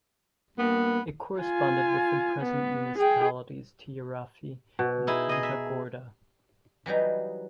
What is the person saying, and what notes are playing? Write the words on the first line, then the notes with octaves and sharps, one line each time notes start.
It corresponded with the present municipalities Tijarafe and Puntagorda.
G2 A#3 B3
F4 G#5
B3
G#4 G5
B2
D#4 E4 G#4
G#4 D#5
E5
E3 F#3 G3 D#4